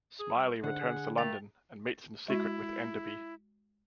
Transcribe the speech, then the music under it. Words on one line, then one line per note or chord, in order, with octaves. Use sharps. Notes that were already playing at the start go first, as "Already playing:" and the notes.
Smiley returns to London and meets in secret with Enderby.
G#4
G3
G#2 D3 F#5
G#4
A3 A#3 G5 A6 F7
G#3 E4 F#4